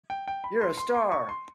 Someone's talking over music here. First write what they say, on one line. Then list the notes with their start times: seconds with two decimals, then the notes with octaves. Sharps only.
You're a Star!.
0.10 G5
0.28 G5
0.44 B5
0.61 C6
0.78 C6
0.95 C6
1.12 C#6
1.29 C6